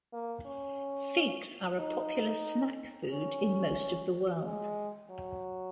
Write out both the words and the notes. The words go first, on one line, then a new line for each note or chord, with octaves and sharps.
Figs are a popular snack food in most of the world.
A#3
C#4
D#4
C#4
G#3
F#3